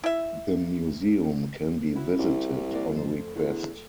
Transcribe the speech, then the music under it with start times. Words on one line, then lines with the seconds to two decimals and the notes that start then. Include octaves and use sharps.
The museum can be visited on request.
0.04 E4 E5
1.95 C#4 E4 F#4
2.19 C2
2.71 A#3 B3 D5
2.93 F2 A3 C5
3.36 E2 D3